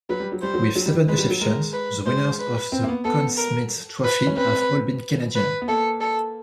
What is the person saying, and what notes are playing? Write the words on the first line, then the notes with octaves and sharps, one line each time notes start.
With seven exceptions, the winners of the Conn Smythe Trophy have all been Canadian.
F#3 B4
G3
F#3
G3 C5
F#3
F#3
G3
G#3 B4
G3
F#3
G#3 A#4
B4
G#3 C5
B4
C4
A#3
B3
B3 A4
A#4
B4
C#4
C4 B4
B4
B3
A#3 A4
A4